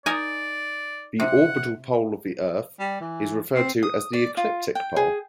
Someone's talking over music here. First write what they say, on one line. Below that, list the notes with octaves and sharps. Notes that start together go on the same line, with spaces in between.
The orbital pole of the earth is referred to as the Ecliptic pole.
D#4 A#4 D5 G#5
C3 F#5
G3
E3
C4
D#6
D5
F4
G5
G#4